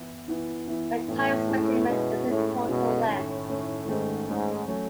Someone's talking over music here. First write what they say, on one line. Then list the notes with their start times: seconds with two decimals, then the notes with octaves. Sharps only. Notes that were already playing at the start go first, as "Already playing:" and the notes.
The type specimen is in total length.
Already playing: E3 B3 E4
0.28 E3 B3 E4
0.68 E3 B3 E4
1.08 A2 E3 B3 E4
1.47 G#3 C#4 E4
1.87 B2 G#3 C#4 E4
2.28 A2 G#3 C#4 E4
2.68 B2 G#3 C#4 E4
3.07 A2 D#3 A3 C#4
3.48 D#3 A3 C#4
3.88 G#2 D#3 A3 C#4
4.28 G#2 D#3 A3 C#4
4.68 F#3 A3 C#4